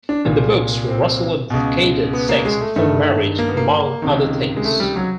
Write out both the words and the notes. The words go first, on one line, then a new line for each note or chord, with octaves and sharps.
In the books, Russell advocated sex before marriage, among other things.
D4
C2 A#2
C4
C#2 B2
B3
A#3
G#3
A3
G2 D#3 A3
A#3
B3
A#3
C#2 C3 D#3
G#3
A3
G3
F#3